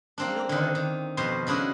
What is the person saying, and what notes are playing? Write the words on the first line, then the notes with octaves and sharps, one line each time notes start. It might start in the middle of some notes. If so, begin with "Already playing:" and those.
"You know what?
A#3 C4 D4
D3 D#3
D#3
F2 B2 C5 C6
C#3 D4 E4 F#4 D#5